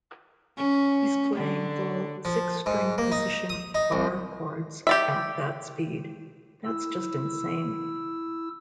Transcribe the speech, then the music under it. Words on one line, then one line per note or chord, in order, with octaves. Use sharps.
He's playing full, six-string-position barre chords at that speed-- that's just insane.
C#4
D3
F3
G#2
A#3
D#4
D#6
D#4
C2
G4 D5 E5
E4 E6